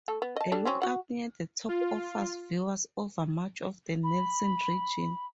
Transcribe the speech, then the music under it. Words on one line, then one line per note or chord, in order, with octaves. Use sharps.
A lookout near the top offers views over much of the Nelson region.
A3 A4
B3
D#5 A5
G3 D4 A4
F#3 C4 C#4
F#4 F#5
F4
B5